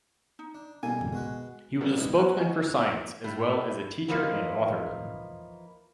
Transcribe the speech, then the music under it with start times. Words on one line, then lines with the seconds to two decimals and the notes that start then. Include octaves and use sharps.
He was a spokesman for science, as well as a teacher and author.
0.39 D#4
0.55 D4
0.83 B2 G3 A#3 A4 G#5
1.13 G#3 F#4 B4
1.81 E3 G3 B3 F#4 A4 A#4
1.97 G3 G#3 B3 D#4 E4
2.18 F6 F#6
2.37 D#5 F#5 G#5 C#6
3.24 A2 A3
4.08 E3 F3 A#3 D#4